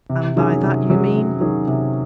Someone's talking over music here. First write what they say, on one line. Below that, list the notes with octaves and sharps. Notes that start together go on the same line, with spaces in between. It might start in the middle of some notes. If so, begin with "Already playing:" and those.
"And by that you mean?"
C3
D#3 F#3 C#4 G#4
C3
D#3 F#3 C#4 G#4
C3
D#3 F#3 C#4 G#4
C3